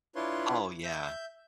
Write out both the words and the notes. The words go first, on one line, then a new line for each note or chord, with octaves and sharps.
Oh, yeah.
D4 E4 F4 B4 C#5 C6
E5 G6